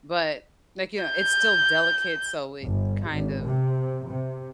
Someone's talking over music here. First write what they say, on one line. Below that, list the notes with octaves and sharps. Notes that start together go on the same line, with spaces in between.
but like, you know, it's still delicate, so it kind of
G6
G1
G#1
C3
C3